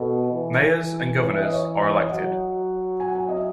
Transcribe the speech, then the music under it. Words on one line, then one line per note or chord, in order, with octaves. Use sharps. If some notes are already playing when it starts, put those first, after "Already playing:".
Mayors and governors are elected.
Already playing: B2 A4
E3
B4
E5
D#5
C#5
D#5
C#5
D#5
F#3 F#5
G#5
F#5
G#5
D#5
E5